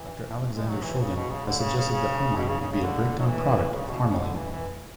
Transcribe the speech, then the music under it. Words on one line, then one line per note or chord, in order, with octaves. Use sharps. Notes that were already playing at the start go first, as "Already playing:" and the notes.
Doctor Alexander Shulgin has suggested that harmine may be a breakdown product of harmaline.
Already playing: E3
G#3
F#3
E3
C#3
B2
C#3
D3
C#3
C#3
C#3
B2
C#3
C#3
C#3
D3
F#3
E3
C#3
B2
C#3
D3
E3
E3